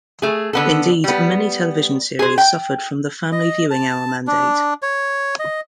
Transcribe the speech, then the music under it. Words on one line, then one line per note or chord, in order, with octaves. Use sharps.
Indeed, many television series suffered from the Family Viewing Hour mandate.
A3 G#4
D3 B3 A4
G3 B3
G#4 C5
G5
D#5
A5
D4
C#5
D#5